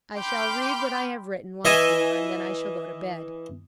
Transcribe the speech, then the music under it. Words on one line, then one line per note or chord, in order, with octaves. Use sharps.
I shall read what I have written once more, and then I shall go to bed.
G5 B5 C6 D6 F6 G6
E3 D#5 E5 G#5